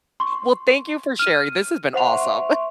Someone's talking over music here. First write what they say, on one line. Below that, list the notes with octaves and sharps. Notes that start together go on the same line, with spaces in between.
Well, thank you for sharing, this has been awesome.
C6 C#6
F6 D#7
C5 E5 F#5 C6 C#6 F7